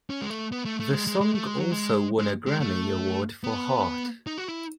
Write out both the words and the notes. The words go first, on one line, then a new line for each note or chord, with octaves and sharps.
The song also won a Grammy Award for Hart.
C#4
G#3
A3
B3
A3
A3
G#3
G#3
G#3
A3
G#3
F#3
G#3
G#3
G#3
A3
B3
D#4
F#4
E4